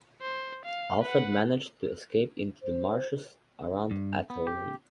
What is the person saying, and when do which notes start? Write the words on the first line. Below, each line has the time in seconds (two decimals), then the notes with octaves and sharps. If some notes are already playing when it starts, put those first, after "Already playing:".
Alfred managed to escape into the marshes around Athelney.
0.22 C5
0.65 F5
1.02 B4 F#5
2.62 C5
3.91 G2
4.30 B3
4.47 G4